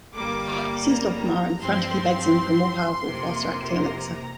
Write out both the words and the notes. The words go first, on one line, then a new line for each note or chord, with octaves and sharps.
He sees Dulcamara and frantically begs him for a more powerful, faster-acting elixir.
G1 G2 G3 A#3 D6
A#5
G2 F3 C4 C6
F2 C3 A#3
A#5